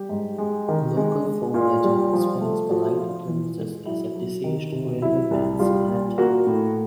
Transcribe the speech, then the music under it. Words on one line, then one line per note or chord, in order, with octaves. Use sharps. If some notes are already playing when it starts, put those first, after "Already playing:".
Local folk legend explains the light appearances as a deceased railwayman's lantern.
Already playing: G3 G4
G#2
G#3
D#3
G#3
G#3
A#2 F4
G3
F3 F4
A3
F3 F#4
F3 F4
E3
G#3
F#3 E4
F#3
D#3
C3
F#3 E4
C2
G3 F4
A#2
A#3 F#4
A2